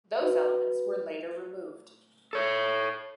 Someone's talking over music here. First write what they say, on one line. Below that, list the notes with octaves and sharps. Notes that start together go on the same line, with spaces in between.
Those elements were later removed.
F#4 B4
A4 C#5